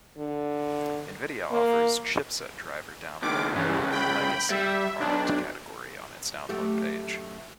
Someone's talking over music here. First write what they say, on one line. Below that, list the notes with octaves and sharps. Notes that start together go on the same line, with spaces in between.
Nvidia offers chipset driver download in the "Legacy" product category on its download page.
D3
A#3
C#2 D#3 D6
C2 G2 C#3 E3
G5 B5
G3 E5
B1 D4
F#2 A3 G4